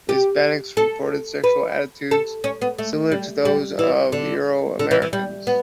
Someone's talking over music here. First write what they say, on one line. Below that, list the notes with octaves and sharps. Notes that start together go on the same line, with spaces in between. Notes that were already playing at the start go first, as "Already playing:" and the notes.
Hispanics reported sexual attitudes similar to that of Euro-Americans.
G4
A4
B4
A4
C#4
B3
A3
G3
G3
E3
D3
D3
E3
E3
G3
B3